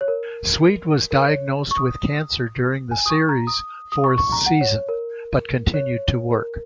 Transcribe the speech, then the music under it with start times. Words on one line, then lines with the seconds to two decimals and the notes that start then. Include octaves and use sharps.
Sweet was diagnosed with cancer during the series' fourth season, but continued to work.
0.01 C#5
0.08 A#4
1.11 A#4
1.21 C#5
1.71 C#6
1.77 D#6
2.91 G#5
3.06 D#6
3.10 C#6
3.29 A#5
3.47 D#6
3.92 D#6
4.04 C#6
4.18 C#6
4.32 A#5
4.46 F#5
4.61 C#5
4.89 A#4
5.74 C#5
6.31 A#4